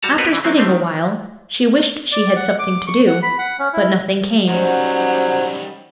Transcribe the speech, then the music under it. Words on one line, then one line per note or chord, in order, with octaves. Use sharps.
After sitting a while, she wished she had something to do, but nothing came.
G3 F#4 A5 A#5
B3 C4 F#4 A#4 B4 C#5
C#3 E3
F#3 A#3 C4
D3 A3 C4
D#3
D5
F#5
D6
C#6
F#5
B5
F#5
C#4
E4
D#3 F#3 G3 C#4 C5 F#5